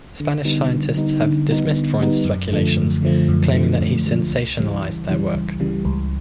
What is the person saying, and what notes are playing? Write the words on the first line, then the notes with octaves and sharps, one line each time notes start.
Spanish scientists have dismissed Freund's speculations, claiming that he sensationalised their work.
D3
G3 B3 D#4
D3
G3 B3 D#4
D3
G3 B3 D#4
D3
G3 B3 D#4
F#2
D3 F3 A3
F#2
D3 F3 A3
F#2
D3 F3 A3
F#2
D3 F3 A3
C#2
C#3 E3 G3
C#2
C#3 E3 G3
C#2
C#3 E3 G3
C#2